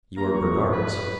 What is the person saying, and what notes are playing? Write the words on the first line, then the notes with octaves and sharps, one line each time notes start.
"You are Bernard's."
A#3 A#5
C#6
A#2
G2 B4